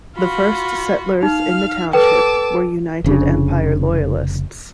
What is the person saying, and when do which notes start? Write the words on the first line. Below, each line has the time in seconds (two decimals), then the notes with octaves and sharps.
The first settlers in the township were United Empire Loyalists.
0.16 F4 F#4 B5
1.23 D#4 F5 F6
1.93 A4 B4 G5 A5 D6 E6
3.04 F1 C#3 D4